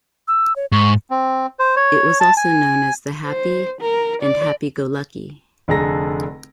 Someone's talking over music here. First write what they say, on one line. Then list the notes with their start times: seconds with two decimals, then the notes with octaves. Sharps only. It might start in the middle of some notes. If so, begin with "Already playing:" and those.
It was also known as The Happy, and Happy Go Lucky.
0.28 E6
0.56 C#5
0.72 G#2 C#6
1.10 C4
1.59 C5
1.76 C#5
2.20 A5
2.37 G#5
3.27 C5
3.81 A#4
4.22 D5
5.68 F1 D3 G#4 A4 A#5 A#6